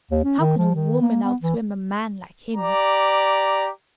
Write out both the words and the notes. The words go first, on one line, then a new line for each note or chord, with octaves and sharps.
How could a woman outswim a man like him?
D#2
C#4
D#3
F3
D#3
A#3
B3
E3
G4 D5 A#5